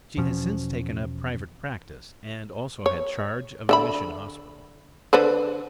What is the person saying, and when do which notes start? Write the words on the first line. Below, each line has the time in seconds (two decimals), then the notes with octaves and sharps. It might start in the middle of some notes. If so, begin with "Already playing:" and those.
She has since taken up private practice and also had charge of a mission hospital.
0.17 E2 B2 F3 C#4
2.86 C#5
3.69 D3 E5 B5
5.13 D3 B4 C5